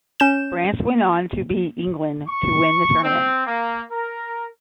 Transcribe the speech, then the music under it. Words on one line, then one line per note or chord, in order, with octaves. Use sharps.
France went on to beat England to win the tournament.
C#4 G6 E7
C#6
C4
A#3
A#4